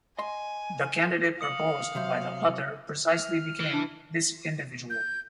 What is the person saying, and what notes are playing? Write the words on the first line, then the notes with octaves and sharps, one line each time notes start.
The candidate proposed by the author precisely became this individual.
D#5 G#5 C6
F5 D#6 C#7 F#7
C3 F#3 C5
F6
E3
D4
G6